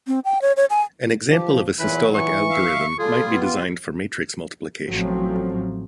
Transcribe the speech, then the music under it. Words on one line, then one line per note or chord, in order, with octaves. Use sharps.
An example of a systolic algorithm might be designed for matrix multiplication.
C4
G5
C#5
C#5
G#5
F3 G4
E2 A#2 E3 F#3 B4
E3 C#6
E5 F5
G3 F4 G#4 A4
B3
A1 A2 F3 F#3 C4